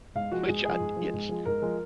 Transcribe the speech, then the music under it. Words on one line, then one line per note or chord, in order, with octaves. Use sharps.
which at it's
G#2 F5
F3 G#3 F#4
G#2 G#4
F3 G#3 G#4
G#2
F3 G#3
G#2
F3 G#3
G#2 A#4
F3 G#3